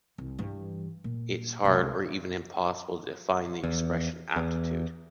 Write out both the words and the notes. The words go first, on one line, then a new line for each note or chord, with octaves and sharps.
It’s hard or even impossible to define the expression aptitude.
C2
G2 E3
A#2
C#2 C3
E2
E2